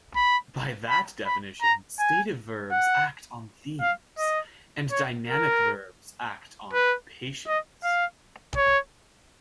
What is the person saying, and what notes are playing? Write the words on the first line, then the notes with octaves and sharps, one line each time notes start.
By that definition, stative verbs act on themes, and dynamic verbs act on patients.
B5
B5
B5
A#5
G#5
F#5
F5
D#5
C#5
A#4
B4
D#5
F5
C#5